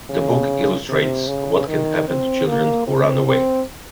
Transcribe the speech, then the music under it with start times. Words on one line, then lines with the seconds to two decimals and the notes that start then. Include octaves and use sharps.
The book illustrates what can happen to children who run away.
0.10 C#3
0.89 C3
1.28 C#3
1.68 D#3
2.08 C4
2.47 A#3
2.87 C4
3.26 C4